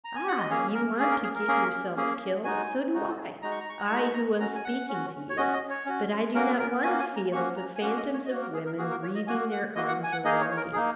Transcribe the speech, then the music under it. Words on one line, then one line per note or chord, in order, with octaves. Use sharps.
Ah! you want to get yourselves killed, so do I--I, who am speaking to you; but I do not want to feel the phantoms of women wreathing their arms around me.
A#5
G#5
F#5
D#5
A#3 C#4 G#4 C#5
A#4
A#3 C#4 G#4
A#4
G#4
A#4
A#3 C#4 G#4
A#3 C#4 G#4
G#3 D#4 F#4 G#5
G#3 D#4 F#4
G#3 D#4 F#4 A#5
C#6
A#5
C#6
A#5
C#6
G#3 D#4 F#4 A#5
C#6
A#5
C#4 F#4 A#5
G#5
F#5
C#4 F#4
C#5
C#4 F#4 D#5
D#5
C#5
C#4 F#4
A#3 C#4 F#4 A#4
A#4
A#3 C#4 F#4 G#5
G#5
A#5
A#3 C#4 F#4 C#6
A#5
G#5
A#3 C#4 F#4 F#5
D#5
C#5
D#5
A#3 F#4 C#5
A#4
G#4
A#4
A#3 F#4 G#4
A#4
C#5
D#5
A#3 F#4 G#5
F#5
A#3 F#4 D#5
F#5
G#5
F#5
A#3 D#4 G#4 D#5
C#5
C#5
A#4
A#3 D#4 G#4